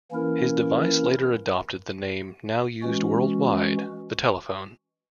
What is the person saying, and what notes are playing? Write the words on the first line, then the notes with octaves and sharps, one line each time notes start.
His device later adopted the name now used worldwide, the telephone.
E3 A#3 C#4 E4 A#4
E3 G#3 C#4 F#4